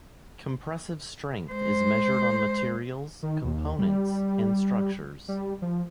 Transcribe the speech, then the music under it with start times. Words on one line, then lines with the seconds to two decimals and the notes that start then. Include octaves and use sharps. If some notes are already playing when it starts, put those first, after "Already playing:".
Compressive strength is measured on materials, components, and structures.
1.49 G#3 C5
3.23 D#3
3.45 D#2
3.79 G3
5.28 G3
5.62 F3